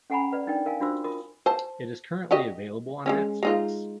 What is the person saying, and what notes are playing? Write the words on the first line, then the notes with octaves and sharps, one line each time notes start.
It is currently available on Netflix.
C#4 A4 F#5 G#5 A#5 B5
B4 D5
D4 D#4 A#4 D5 G5
A#4 F5 G#5
D4 F4 F#4 C5 E6
F4 A#4 D#6
C5 A5
F#4 G4 D#5
G#3 A3 C#4
G#3 D#4 F4